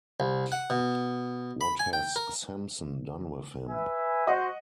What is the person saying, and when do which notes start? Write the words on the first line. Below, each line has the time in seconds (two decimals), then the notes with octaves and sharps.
What has Simpson done with him?
0.20 C2
0.52 F#5
0.70 B2
1.61 B5
1.79 G#5
1.93 G5
2.16 A#4
3.69 B4 E5 G#5
4.27 F#4 C5 D#5 F#5